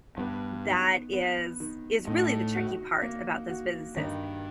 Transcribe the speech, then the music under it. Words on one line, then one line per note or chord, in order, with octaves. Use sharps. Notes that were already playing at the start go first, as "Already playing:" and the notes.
that is is really the tricky part about this businesses.
G2 B3
D#3
B3
D#3
A2 D#4
F#4
A#3
F#4
G2 D#3